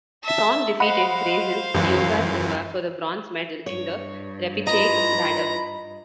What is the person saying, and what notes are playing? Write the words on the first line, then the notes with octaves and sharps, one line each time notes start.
Song defeated Brazil's Diogo Silva for the Bronze medal in the Repechage ladder.
E5 A5
C5 D#5 F5 F#5 B5
C#2 F#2 E3
G2 C#5
E3 F4 D#5 A#5 B5